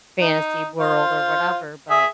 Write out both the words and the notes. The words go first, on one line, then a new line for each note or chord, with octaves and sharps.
fantasy world or whatever, but
D#4
F4 C5
G#4 E5 D#6